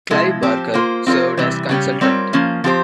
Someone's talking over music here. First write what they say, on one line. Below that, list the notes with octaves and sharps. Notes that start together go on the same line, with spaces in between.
Clive Barker served as consultant.
C3 F3 G#3 E4
F3 C4 G4
A#3 F4 C5
F3 C4 F4 A#4 C#5
C3 E3 G3
C#3 G3 C#4 G4
G3 C4 F4 A#4 C#5
F3 A#3 C#4
F3 C4 G4 C5